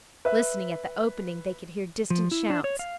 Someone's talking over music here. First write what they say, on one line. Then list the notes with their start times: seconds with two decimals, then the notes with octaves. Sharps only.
Listening at the opening they could hear distant shouts.
0.25 B4 E5
2.10 F3
2.31 E4
2.50 D4
2.64 C#5
2.79 F5